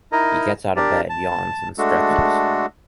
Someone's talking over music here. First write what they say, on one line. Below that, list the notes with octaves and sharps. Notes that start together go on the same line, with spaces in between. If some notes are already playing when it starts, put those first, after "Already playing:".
He gets out of bed, yawns, and stretches.
D#4 E4 A#4 D#5
D4 G4 A#4 D5
A5
G#3 A3 D4 F#4 A4